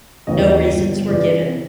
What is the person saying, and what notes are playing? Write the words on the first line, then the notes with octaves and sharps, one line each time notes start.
No reasons were given.
D#2 C#3 E3 D#5
G1
F2 C#3 E3 D5